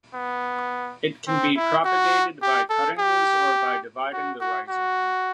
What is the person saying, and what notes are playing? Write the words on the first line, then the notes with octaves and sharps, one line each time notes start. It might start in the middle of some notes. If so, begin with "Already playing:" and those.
It can be propagated by cuttings or by dividing the rhizome.
B3
C4
E4
F#4
G4
A4
G4
F#4
F#4
F#4